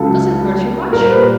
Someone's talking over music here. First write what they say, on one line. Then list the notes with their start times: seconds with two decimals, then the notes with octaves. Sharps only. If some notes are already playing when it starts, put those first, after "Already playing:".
Does it hurt you much?
Already playing: C#2 C#3 F#3 A4
0.93 A#2 G3 A#3 A#4
1.06 C5
1.11 B4